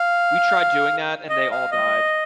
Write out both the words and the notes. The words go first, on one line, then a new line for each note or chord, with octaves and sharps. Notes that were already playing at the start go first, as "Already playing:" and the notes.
We tried doing that and they all died.
Already playing: F5
D#5
F5
D#5